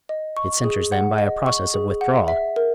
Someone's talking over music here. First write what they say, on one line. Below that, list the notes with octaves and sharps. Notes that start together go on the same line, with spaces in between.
It centers them by a process of withdrawal.
D#5
C#6
G#4
F#5
D#5
C#6
G#4
F#5
E5
A#4